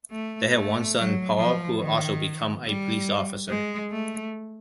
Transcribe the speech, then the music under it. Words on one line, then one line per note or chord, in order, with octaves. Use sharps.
They had one son, Paul who also became a police officer.
A3
A3
F#3
F3
D#3
G3
G#3
A3